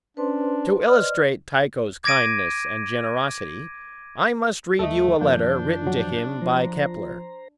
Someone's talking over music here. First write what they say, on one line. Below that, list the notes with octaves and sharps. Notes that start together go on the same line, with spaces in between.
To illustrate Tycho's kindness and generosity, I must read you a letter written to him by Kepler.
C#4 D4 B4 C5 C6
D5 D#5 F6
D6 G#6 A#6 D7 D#7
D#2 G3 A3 A4 D#5
F#2 D#3 F3 A#3 D4 G6
F#3
F3 C5 A#5